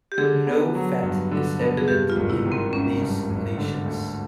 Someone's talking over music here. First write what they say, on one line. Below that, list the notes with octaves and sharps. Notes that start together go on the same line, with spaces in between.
No fat is evident in these lesions.
G4
D3 G#4
B3
F#3
G2
D3
B3
G#4
G2 G4
F4
G#1
E4
D#3
C4
G#1 C#4
G2
G#1
D3
D2